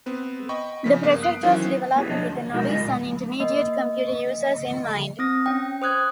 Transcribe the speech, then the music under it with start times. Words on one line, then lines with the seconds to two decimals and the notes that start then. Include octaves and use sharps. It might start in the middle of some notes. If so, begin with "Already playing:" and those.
The project was developed with novice and intermediate computer users in mind.
0.06 B3 C4 B4
0.49 D#5 G5 B5 C#6
0.84 C#3 F3 B6
1.03 G2 A#3 B3
1.22 D#6 F#6 C7 D7
1.43 D#3 E3 F#3 C#4 E4 C5
1.96 A#3 B3 E4 F4 G4 G#4
2.09 B1 F3 D4 C#5 D#5 A5
2.29 D2
2.54 B2 G#3 D#4 F#4 A#4
2.68 G3 G#3 F4 D#5
2.85 A#2
3.40 A#3 D#5
5.19 C4 D#6 A#6
5.46 C#4 G5
5.82 C5 D#6 F#6 G#6